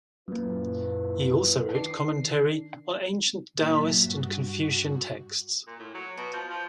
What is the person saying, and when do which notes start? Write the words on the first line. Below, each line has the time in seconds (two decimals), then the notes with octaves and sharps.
He also wrote commentary on ancient Daoist and Confucian texts.
0.28 F#2 A#2 E4 F4 B4
1.74 D#3 D4 C7
3.56 A#2 F#3 A#3 E5 A5 B6
4.01 G2 F#4
5.67 A#2
5.79 A2
5.94 F#3
6.17 B2
6.33 F3
6.49 F3